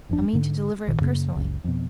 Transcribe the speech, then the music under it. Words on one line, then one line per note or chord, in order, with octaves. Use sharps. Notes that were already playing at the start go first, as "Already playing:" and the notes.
I mean to deliver it personally.
G1 F2 D4
G#2 D3
A1 A#2 D#3
F#2 C#3 A#3
F#1 C#2
F2 B2